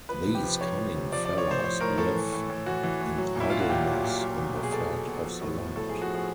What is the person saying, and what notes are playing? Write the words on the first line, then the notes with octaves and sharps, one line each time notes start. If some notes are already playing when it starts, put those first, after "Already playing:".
These cunning fellows live in idleness on the fat of the land.
F3 B4
C3
G4
F3
F3 C#5
F3
C3
F3 D5
F3 D5
C#5
A2 C5
C#5
F3 C5
A2 A#4
A2 A4
E3
A2
A2
E3 F#4
E3
A2
F#3
A#2 E4
A#2 F4
F#4
A#2 G4
F#3
A#2
F#3
B2
B2
G#4
B2 A4
B2
B2
F3
A2
A2
A2 A4
F3 G#4
F#4
F3 G#4